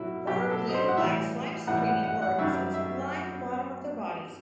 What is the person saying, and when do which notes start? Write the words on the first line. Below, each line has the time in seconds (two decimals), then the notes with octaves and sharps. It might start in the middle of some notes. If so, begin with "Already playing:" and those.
Four blue-black slime-secreting orifices line the bottom of their bodies.
Already playing: B2 F#3 E4 F#4
0.27 B2 G4
0.30 F#3
0.50 A4
0.69 D#5
0.74 C5
0.88 F#5
0.97 A2 E3 G3 E5
1.67 A2 E3 G3 F#5
1.86 F#5
2.03 F#5
2.22 F#5
2.39 F#2 D#3 G3 E5
2.74 E5